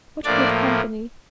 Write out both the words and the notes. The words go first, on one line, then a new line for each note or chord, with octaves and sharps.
What good company!
A2 F3 A#3 D4 D5